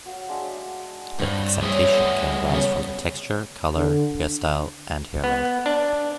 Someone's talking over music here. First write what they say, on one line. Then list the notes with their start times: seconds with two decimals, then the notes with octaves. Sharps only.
The excitation can arise from the texture, color, hairstyle and hair length.
0.06 F#4 F5
0.28 G#3 D4 E5
1.20 G2 C4 D4
1.62 G3 G#4 C5 C#5 E5
1.86 B3 E4
2.50 C#3 F#3 B3 C#4
3.75 D3
5.24 B3
5.66 D4